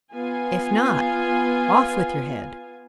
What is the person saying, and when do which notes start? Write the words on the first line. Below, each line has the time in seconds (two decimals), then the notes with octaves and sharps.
If not, off with your head.'
0.13 B3 F4 G#5